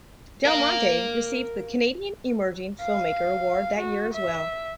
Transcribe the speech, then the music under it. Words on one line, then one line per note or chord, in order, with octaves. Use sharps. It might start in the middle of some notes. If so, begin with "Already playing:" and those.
Del Monte received the Canadian Emerging Filmmaker award that year as well.
A#4 F5
F5
F#4
E5